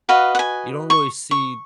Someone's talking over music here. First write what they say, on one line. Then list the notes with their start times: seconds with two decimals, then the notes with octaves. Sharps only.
you don't really see
0.09 F#4 B4 D#5 F5
0.35 F#5
0.39 G#5
0.90 C#6
1.31 C#6